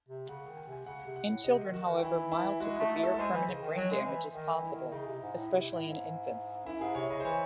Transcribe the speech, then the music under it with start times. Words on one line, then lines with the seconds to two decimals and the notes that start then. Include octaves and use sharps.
In children, however, mild to severe permanent brain damage is possible, especially in infants.
0.09 C3
0.29 C#3 F#5
0.47 D#3
0.57 G#5
0.67 C3
0.72 G#5
0.86 C#3 F#5
1.05 C3
1.16 F#5
1.25 A2
1.44 C3 D#5
1.64 D#3
1.74 F#4
1.83 D#3
1.97 D#3
2.03 E3 E4
2.32 E4
2.60 G#3 F#4
2.75 A3 D#4
2.90 E4
2.98 A3
3.03 A4
3.14 A4
3.18 G#3 C5
3.33 E3
3.47 C#3 D#5
3.62 D#3
3.77 F#3 G#5
3.91 G#3
4.06 E3 E5
4.34 D#3 D#5
4.54 E3
4.63 E4
4.73 D#3
4.92 C#3 D#4
5.07 C3
5.22 G#2
5.35 A2
5.45 D#4
5.50 C3 E4
5.70 A2
5.89 G#2
6.66 F#2 E4
6.81 G#2 G#4
6.95 C3 C#5
7.09 C#3 D#5
7.20 C5
7.25 E3 C#5